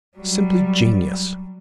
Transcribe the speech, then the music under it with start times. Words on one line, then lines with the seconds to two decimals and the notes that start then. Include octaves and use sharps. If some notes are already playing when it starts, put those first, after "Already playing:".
Simply genius!
0.18 F#3 G3